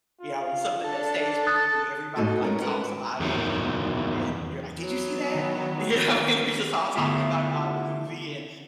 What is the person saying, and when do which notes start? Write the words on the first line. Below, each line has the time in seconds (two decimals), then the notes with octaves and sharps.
you know, it's something that stays with you and everybody, like, talks about it. And and you're like, "Did you see that?" You know? And you're just all talking about, uh, the movie and
0.21 F4
0.84 D4 A4
1.47 D#6 F#6 A6
2.16 G#2 A3 D#4 F4 F#4
2.42 G#3 C#4 A#4
2.61 A#4 B4 F#5
3.20 E2 D#3 F#3
4.77 E3 F#3 B3
5.35 D#3
6.95 D3 A3 B3 E4 F4 G4